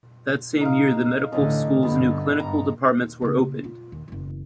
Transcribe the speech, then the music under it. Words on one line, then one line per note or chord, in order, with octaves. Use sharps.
That same year, the Medical School's new clinical departments were opened.
D#4 F5
A1 D3 D#5
G2 D3 B3
G2 A#5
D#2
C#3 A#3
F4
D#2
F#1 E2